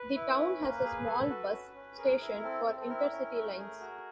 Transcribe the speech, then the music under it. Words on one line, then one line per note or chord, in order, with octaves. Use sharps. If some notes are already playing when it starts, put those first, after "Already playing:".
The town has a small bus station for intercity lines.
Already playing: B4
E4
C#4
A#3
G#4
A4
F#4
C#4
C#4
G#4 A#4
E4
C4 A4
C4
A4
E4 A#4
C#4
A3
G#4
F#4